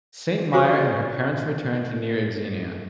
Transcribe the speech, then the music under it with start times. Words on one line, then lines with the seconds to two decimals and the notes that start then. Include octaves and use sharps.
Santmyer and her parents returned to near Xenia.
0.53 F4 F#4 G#4 C5 C#5 C#6